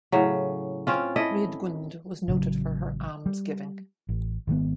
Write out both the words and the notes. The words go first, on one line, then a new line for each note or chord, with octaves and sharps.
Radegund was noted for her almsgiving.
A2 C#3 F#3
C4 C#4 F4
E4 A4 D#5
A1 C#3 F#3
G3
A1
G#1 D#3 G#3 B3